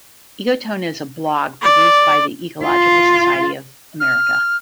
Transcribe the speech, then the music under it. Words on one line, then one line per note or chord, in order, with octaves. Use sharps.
EcoTone is a blog produced by the Ecological Society of America.
D5
F4
F6